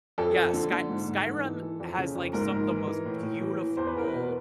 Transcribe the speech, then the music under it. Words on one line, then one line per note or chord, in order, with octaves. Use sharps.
Yeah, Sky Skyrim has like some the most beautiful,
F2 A4
F2
D3
D3
G#2
G#2
E3
E3
E3
F2
C#3
F2
G#2 A#4
G#2
E3
E3
A2
A2
E3
E3
E2 C5
B4
E2 A#4
B4
B2